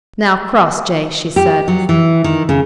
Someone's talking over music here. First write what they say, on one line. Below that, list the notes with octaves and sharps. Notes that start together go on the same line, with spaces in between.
"Now, Crossjay," she said.
G4
F#3
E3
D#3
C#3